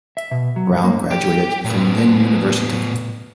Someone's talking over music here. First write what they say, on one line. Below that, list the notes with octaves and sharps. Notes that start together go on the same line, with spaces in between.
Brown graduated from Lynn University.
E5
B2
F#3
G2
A#3
G4
A2 B3